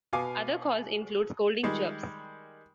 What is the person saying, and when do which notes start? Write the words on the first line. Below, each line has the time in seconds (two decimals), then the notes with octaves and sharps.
Other calls include scolding chirps.
0.13 B2 B3 F5 G#5 D6
1.63 D#3 G3 G#3